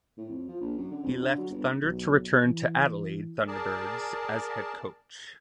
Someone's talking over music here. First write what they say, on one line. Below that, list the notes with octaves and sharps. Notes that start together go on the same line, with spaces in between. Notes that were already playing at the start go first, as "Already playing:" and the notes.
He left Thunder to return to Adelaide Thunderbirds as head coach.
A2
F2
F3
A#1
F#2
D3
F2
D3
F#3
G1
B1
E3
G#4 A#4 D5 A5